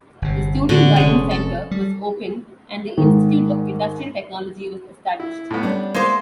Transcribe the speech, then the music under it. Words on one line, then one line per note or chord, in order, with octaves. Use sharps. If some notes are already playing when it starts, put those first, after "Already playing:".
The Student Guidance Center was opened and the Institute of Industrial Technology was established.
G1 C3
A2 D3 E3 C4 F#4
F1 C3 G#3 C#4 C#5
A4
G3
G#2 D#3
E4
A2 B3
G3 B3 C#4 D4
G#3 A#3 B3 E4 C5